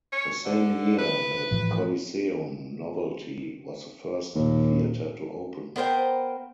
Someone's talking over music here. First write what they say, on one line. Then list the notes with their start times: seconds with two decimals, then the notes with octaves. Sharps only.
The same year "The Coliseum Novelty" was the first theater to open.
0.13 C#5
0.45 D3
0.98 B4
1.51 A2 E3 F3
4.35 D#2 A#2
5.76 B3 A#4 C5 G5